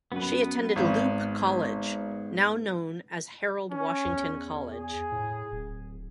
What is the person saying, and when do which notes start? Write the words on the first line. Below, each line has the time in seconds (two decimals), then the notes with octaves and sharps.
She attended Loop College, now known as Harold Washington College.
0.12 F#2 B3 B4
0.76 G#1 G#2
3.71 C#4
4.05 E2
4.72 G#4
5.12 A2
5.52 D1